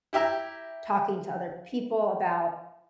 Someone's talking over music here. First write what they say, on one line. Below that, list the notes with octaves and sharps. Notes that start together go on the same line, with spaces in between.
talking to other people about
E4 G4 E5 A#5